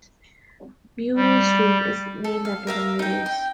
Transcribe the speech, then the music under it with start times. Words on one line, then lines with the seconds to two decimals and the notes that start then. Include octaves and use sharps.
Murray Street is named after the Murrays.
1.16 G3
2.24 A4
2.45 F5
2.67 A#4 E5 F5 A#5
2.99 D#4 G5
3.26 G5